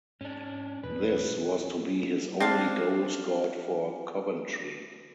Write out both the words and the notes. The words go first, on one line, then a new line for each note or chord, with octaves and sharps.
This was to be his only goal scored for Coventry.
G#2 C#4 D4
E2 B2 B4
C4 D4 F5